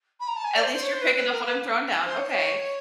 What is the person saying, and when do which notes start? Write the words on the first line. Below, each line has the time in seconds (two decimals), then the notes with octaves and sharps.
at least you're picking up what I'm throwing down, okay.
0.20 B5
0.28 A#5
0.36 A5
0.45 G#5
0.54 D5
0.63 C5
0.73 C5
0.83 C#5
0.93 C5
1.02 B4
1.16 B4
1.31 A#4
1.45 B4
2.05 C5
2.17 C#5
2.32 C#5